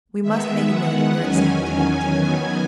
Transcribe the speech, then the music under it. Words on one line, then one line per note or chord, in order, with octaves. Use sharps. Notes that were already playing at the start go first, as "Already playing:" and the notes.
"We must make a note of your exact height."
D#3 G#3 B3 E5
F#5
E2 D#3 F#3 C#4 G#5
G#5
D#3 F#3 B3